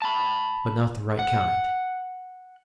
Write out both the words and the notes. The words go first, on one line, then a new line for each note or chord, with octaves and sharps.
But not the right kind.
A5 B5
F#5